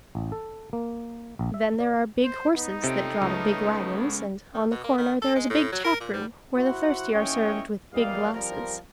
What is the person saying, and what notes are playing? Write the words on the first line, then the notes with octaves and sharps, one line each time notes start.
Then there are big horses that draw the big wagons, and on the corner there is a big taproom where the thirsty are served with big glasses.
A1
A4
A#3
A#1
E5
D5
C5
B3 D#4
C3 G3 C#4 F4 A4 G5
C#2 G#3 A3 B3 C#4
D#3
B2
A#3
D#3
A4
G#3
A2
F#3
A#4
A#2
G3
E4 F#4 C5 F#5
D#2 C#4 E4 C#5 D#5 G5
E2 G3 A#3 D5 D#5 F5
F3 G3 C4 A#4